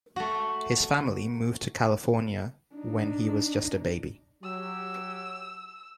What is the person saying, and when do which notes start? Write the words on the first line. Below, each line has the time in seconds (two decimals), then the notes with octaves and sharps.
His family moved to California when he was just a baby.
0.16 A3 F#4
2.75 D4 D#4
4.44 F#3 G4 E6